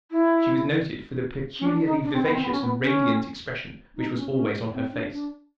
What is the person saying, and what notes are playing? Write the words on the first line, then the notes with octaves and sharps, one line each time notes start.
She was noted for the peculiarly vivacious and radiant expression which was always on her face.
E4
C#4
D4
D#4
D4
C4
B3
C4
B3
C#4
B3
C#4
D#4
C#4
C#4
C4
D4
D4